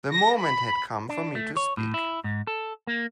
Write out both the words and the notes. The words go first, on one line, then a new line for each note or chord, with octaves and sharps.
The moment had come for me to speak.
A#6
B5
D4
A3
C#5
A2
E4
G#2
A4
A#3